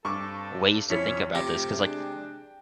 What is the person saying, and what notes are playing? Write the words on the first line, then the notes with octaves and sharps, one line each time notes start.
ways to think about this 'cause like,
G2 C4 A4 C#6 D6
F2 C#4 E4 B6
C3 F3 A3 G5 A#6
G#3 D4